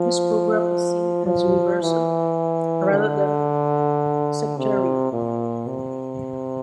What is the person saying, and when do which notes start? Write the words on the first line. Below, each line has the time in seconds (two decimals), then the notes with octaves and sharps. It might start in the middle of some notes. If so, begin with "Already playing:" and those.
This program is seen as universal, rather than sectarian.
Already playing: F3
1.25 F3
1.81 E3
2.92 D3
4.57 C3
5.12 A#2
5.67 C3